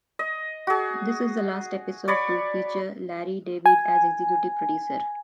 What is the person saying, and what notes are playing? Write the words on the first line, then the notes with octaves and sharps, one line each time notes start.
This is the last episode to feature Larry David as executive producer.
D#5
F#4 G#4
C#5 D5 B5 C#6
G#5